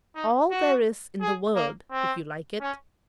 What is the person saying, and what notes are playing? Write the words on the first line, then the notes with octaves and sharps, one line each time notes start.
All there is in the world if you like it.
D#4
F#4
G#4
A#3
C4
C#4